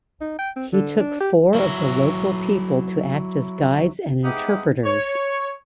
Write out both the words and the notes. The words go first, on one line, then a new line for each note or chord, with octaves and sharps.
He took four of the local people to act as guides and interpreters.
D#4
G5
C4
D3
D4
G4
F#3 E4
G#3 B3 D#4 G4 E5
C#5